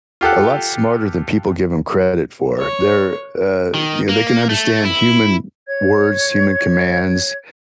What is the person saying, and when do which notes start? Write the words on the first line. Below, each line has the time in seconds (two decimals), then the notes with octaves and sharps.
a lot smarter than people give 'em credit for. They're, uh, you know, they can understand human words, human commands.
0.21 F4 G4 A4 F#5
2.58 C#5
3.74 D#3
4.09 A#3
4.49 A3
4.85 E4
5.67 C#5 G#6